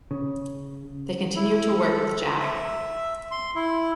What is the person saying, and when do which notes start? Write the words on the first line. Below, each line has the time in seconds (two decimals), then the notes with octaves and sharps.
They continue to work with Jag.
0.11 C#3
1.36 E4
1.77 A4
2.40 E5
3.31 C6
3.55 E4